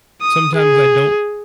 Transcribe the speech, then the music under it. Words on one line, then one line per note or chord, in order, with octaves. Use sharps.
Sometimes I don't
D#6
G#4